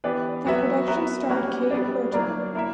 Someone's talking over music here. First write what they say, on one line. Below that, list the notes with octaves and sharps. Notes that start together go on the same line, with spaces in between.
That production starred Kate Burton.
E3 B3 D4 G4 B4
F#3 B3 F#4 B4 E5
B3 F#4 A#4 E5
G3 A#3 C#4 F#4
G3 B3 D4
F#3 A#3 D4 A#4 D5
A#3 E4 A#4 E5